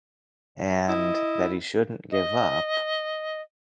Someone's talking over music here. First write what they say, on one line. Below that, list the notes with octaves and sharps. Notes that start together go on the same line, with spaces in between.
And that he shouldn't give up,
E4 D#5
D#5